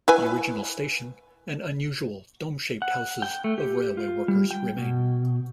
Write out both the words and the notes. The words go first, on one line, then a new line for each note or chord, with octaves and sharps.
The original station and unusual dome-shaped houses of railway workers remain.
E4 B4 G#5
F#5
G5
A3
G4
F4
G3
G5
B2